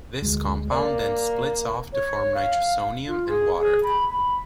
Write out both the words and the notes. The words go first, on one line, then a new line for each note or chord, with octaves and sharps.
This compound then splits off to form nitrosonium and water.
D2 G#3
A#3 D5
C#5
F5
F4
G#4
G#4
B5
B5